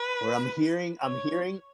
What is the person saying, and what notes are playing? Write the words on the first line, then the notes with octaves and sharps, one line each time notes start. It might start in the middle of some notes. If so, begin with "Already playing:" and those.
or I'm hearing I'm hearing
Already playing: B4
C#5